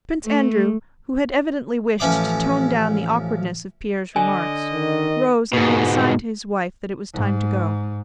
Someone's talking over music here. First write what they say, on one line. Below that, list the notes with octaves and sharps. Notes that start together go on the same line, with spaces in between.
Prince Andrew, who had evidently wished to tone down the awkwardness of Pierre's remarks, rose and made a sign to his wife that it was time to go.
A3
A1 F3 C#4 E5 D6
D3 D#5 G#5
D#3
G#2 B2
G#2